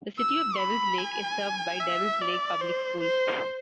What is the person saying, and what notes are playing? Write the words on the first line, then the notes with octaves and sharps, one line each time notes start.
The city of Devils Lake is served by Devils Lake Public Schools.
E6
B5
G#5
E5
D5
C5
C5